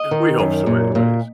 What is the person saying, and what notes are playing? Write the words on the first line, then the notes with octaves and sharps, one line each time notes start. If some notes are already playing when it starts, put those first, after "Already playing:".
We hope so anyways.
Already playing: D#5
D#3
F#2
A#2
A#2